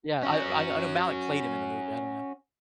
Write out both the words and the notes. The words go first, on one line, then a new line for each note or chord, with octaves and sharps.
Yeah, I o I I know Malek played him in the movie, I don't know.
C#4 F#4